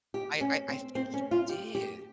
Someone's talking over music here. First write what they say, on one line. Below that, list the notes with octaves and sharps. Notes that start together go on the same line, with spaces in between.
I I I think he did.
G4
C#4
C4
C4
C#4
F4
G4
G4